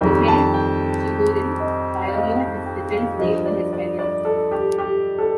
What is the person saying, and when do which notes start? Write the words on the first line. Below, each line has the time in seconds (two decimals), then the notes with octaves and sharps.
Mikhail Chigorin pioneered this defense late in his career.
0.01 F2 D#3 G3 G5
0.28 A5
0.54 G5
1.60 D#5
2.01 G5
2.08 F5
2.16 D#5
2.23 F5
2.40 G5
2.66 G5
2.93 F5
3.19 G2 F3 D#5
3.46 D5
3.73 D5
3.99 D5
4.25 A4
4.51 G4
4.78 G4
5.18 A4